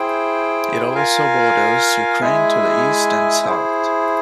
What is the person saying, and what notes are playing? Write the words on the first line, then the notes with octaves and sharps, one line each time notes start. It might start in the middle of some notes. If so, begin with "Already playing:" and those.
It also borders Ukraine to the east and south.
Already playing: E4 G#4 C5 G5
F4 A#4 F5 G#5
G#3 E4 G#4 E5 G#5
E4 G#4 C5